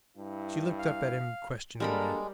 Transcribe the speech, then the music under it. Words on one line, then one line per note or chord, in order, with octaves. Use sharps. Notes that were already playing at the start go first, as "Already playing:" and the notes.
She looked up at him questioningly.
G2 E4
F5
G3 G#3 A#3 D4 A4 A#4 B5